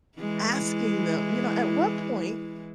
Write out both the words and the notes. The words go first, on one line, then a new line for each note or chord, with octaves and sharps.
asking them, you know, "At what point
E3 G#3 E4